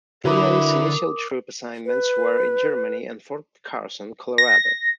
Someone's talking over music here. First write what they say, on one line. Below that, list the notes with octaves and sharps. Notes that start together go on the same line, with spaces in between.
Peay’s initial troop assignments were in Germany and Fort Carson, Colorado.
D3 F#3 E4 A#4 B4 D6 D#6
B4
A#6